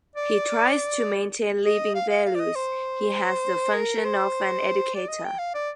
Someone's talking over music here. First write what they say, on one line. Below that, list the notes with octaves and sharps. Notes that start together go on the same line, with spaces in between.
He tries to maintain living values, he has the function of an educator.
D5
D#5
F5
F5
F5
D5
D#5
C5
A#4
C5
D5
D#5
G5
F5
D5